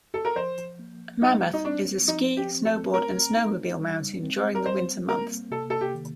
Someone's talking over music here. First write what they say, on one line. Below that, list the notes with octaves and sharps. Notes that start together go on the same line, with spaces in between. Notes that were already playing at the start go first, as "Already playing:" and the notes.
Mammoth is a ski, snowboard, and snowmobile mountain during the winter months.
A4
A#4
F3 C5
A#3
G3 D#4
D#4
C4 D4
F3 D#4
G4
C4
A4
A3 A#4
D#4
G3
C4
A#4
G3 C5
A#3 A#4
C3 A4
A4
G4
D#3